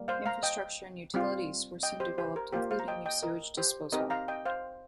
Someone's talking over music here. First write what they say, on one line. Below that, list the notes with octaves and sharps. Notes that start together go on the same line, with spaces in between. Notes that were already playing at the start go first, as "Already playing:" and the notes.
Infrastructure and utilities were soon developed including new sewage disposal.
Already playing: G3 A#3
C5 F5
F5 A#5
D#5 G5
G3 C4 F4
D#5 G5
G4 C5
G4 C5
A#4
A#3 F4 G4 C5
C5 F5
A#5
D#5 G5
D#5 G5
A#4 D#5
G4 C5
C4 D#4 G4 A#4 D#5
F5 A#5
D#5 G5
C5 F5